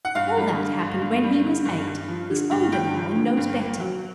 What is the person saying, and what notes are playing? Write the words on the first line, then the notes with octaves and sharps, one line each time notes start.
"All that happened when he was eight; he's older now and knows better."
F#5
G2 F5
G3
D3
G2
G2
G3
D3
G2
G2
F3
D3
G2
G2 G5
F3
D3
G2
A#3
F#3